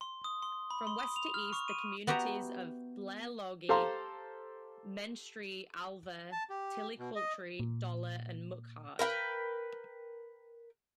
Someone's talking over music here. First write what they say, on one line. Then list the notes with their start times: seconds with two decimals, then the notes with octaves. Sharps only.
From west to east the communities are Blairlogie, Menstrie, Alva, Tillicoultry, Dollar and Muckhart.
0.01 C6
0.24 D#6
0.42 C6
0.71 B5
0.87 C6
0.99 D#6
1.16 F7
1.34 F6
1.53 C#6
1.68 D#7
2.07 B3 F#4 G4 E5 A#5
3.69 G4 A4 C5 F5 A#5 C6
6.32 A5
6.50 G4
6.99 B2
7.16 D#5
7.60 A#2
8.99 A#4 B4 F5 G5